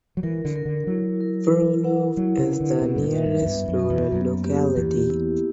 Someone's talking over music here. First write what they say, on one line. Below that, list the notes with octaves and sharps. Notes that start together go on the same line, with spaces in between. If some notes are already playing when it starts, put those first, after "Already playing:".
Frolov is the nearest rural locality.
F#3
E3 A#4
D3
A#4
D3
F#3 E4
A#4
E4
F#5
F#3 E4
C#3
B4
D3
B2 B4
G2
A#2
E5
G2
F#2
G2 B3
F#2
B3
E2
F#2 A#3
G4
E2 G4
E4